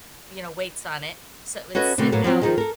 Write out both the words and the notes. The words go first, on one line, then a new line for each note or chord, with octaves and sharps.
you know, weights on it so it would sit out,
C#4 F#4 A4 B4 D#5
B2 D3 A3 B3 C4
A2 F#3 A#3 B3
F3 F#3 C4
D#3 F3 G#3 D#4 G#4 D#5
A4 A#4